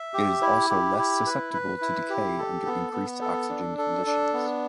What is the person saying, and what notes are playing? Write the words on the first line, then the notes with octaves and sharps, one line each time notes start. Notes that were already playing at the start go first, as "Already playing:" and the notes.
It is also less susceptible to decay under increased oxygen conditions.
Already playing: E5
G4
E4
G4
E4
B4
B4
E4
G4
A4
B3
B3
A4
D4
A4
D4
B3